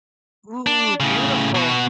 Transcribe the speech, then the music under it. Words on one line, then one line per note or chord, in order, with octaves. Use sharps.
Ooh, beautiful!
D4
A2 C#3
B2 F#4